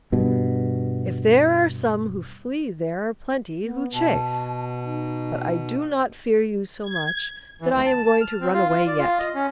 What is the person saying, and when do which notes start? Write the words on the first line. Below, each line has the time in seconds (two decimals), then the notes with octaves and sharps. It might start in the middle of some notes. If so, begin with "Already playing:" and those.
If there are some who flee there are plenty who chase, but I do not fear you so much that I am going to run away yet.
0.12 G2 B2
3.64 B3
3.94 B2 A5
4.85 D#4
6.82 G#6
7.61 E3
7.74 D2
7.86 A5
8.06 A5
8.21 F6
8.41 C4
8.53 F4
8.70 F4
8.87 D5
8.99 F4
9.19 D#5
9.35 C#4